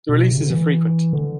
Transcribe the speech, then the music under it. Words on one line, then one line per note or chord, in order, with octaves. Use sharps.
The releases are frequent.
B2
C#3
D3
E3
D3